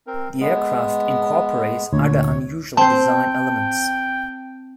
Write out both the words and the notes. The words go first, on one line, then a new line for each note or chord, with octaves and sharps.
The aircraft incorporates other unusual design elements.
C4 A#4
G#3 B3
D2 A#2 C#5
C4 C5 G5 A5